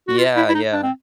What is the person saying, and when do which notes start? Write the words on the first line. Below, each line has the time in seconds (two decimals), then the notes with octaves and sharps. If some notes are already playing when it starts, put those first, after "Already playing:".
Yeah, yeah.
0.08 F#4
0.18 F4
0.37 E4
0.49 E4
0.55 D#4
0.73 D4
0.83 C4